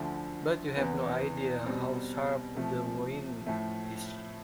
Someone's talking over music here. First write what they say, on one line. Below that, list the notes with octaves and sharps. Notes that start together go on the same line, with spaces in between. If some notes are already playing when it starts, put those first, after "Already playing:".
But you have no idea how sharp the wind is.
Already playing: D2 D3 F3 A3
E2 C3 E3 B3
B2 G3 C4
C3 F3 A3
A2 F3 A3